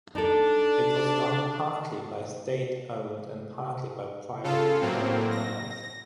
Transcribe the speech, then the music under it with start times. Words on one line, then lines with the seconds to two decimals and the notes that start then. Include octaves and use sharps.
It was run partly by state-owned and partly by privately owned firms.
0.15 D4 D#4 A4
4.43 C#3 F4 A4
4.81 A2 F#3 A#3 C4
5.31 A#6